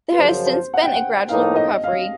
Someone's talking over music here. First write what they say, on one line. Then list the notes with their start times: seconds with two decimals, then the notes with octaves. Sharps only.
There has since been a gradual recovery.
0.12 B4
0.18 F#2 C#3 F3 C5
0.47 C5
0.74 F#5
0.84 G5
0.94 F#5
1.29 A2 F3 A#3 D#4 F5
1.56 D#5
1.84 F5